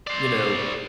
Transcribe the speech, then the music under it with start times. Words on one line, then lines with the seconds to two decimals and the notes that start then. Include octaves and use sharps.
you know,
0.07 C5 D5